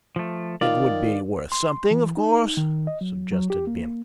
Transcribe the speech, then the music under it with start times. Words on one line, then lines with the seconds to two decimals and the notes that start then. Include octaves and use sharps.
"It would be worth something of course," suggested Bince.
0.16 F3 A3
0.61 D#3 F4 D5
1.52 C6
1.91 E3
2.17 D#4
2.57 D#3
2.87 D#5
3.01 F#3
3.32 F#3
3.50 G4
3.67 A#3